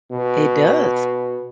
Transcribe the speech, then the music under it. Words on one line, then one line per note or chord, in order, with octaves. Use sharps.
It does.
B2